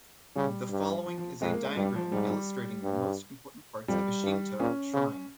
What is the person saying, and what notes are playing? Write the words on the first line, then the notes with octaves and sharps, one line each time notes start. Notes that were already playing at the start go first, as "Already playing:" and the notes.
The following is a diagram illustrating the most important parts of a Shinto shrine.
C#3 G3
G2
F3
F3
F2 G#3
A#3
G#3
G2 G3
F3
G#2 G3
G3
G2
F2 G3
G2
A#2 C#4
C#3